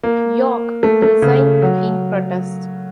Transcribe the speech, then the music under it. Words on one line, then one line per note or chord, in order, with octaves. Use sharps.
York resigned in protest.
A#3
A3
A3
C#3
F#3